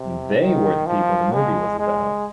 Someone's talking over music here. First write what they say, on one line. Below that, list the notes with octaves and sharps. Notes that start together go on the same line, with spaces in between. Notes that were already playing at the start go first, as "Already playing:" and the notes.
They were the people the movie was about.
Already playing: C3
D#3
F3
G#3
G#3